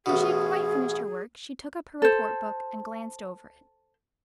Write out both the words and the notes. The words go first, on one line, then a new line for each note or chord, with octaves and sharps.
When she had quite finished her work she took up her report-book, and glanced over it.
A1 B2 G#4
A4 C5